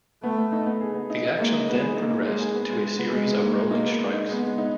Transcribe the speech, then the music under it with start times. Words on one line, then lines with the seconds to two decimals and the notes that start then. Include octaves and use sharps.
The action then progressed to a series of rolling strikes.
0.23 A3 B3
0.37 B3
0.52 D#4
0.66 B3
0.81 G#4
0.95 B3
1.10 D#4
1.25 D#4
1.38 G#3 A#3
1.53 D#4
1.68 G#3 B3
1.82 G#4
1.96 A#3 D#4
2.11 D#4
2.25 G#3
2.40 G#4
2.55 B3
2.70 G#3
2.84 G#3
2.98 B3
3.12 G#3 B3
3.28 G#3
3.41 A#3 D#4
3.55 G#3
3.71 A#3 D#4
3.86 B3
4.00 G#3
4.13 D#4
4.28 G#3 B3
4.43 G#3
4.58 D#4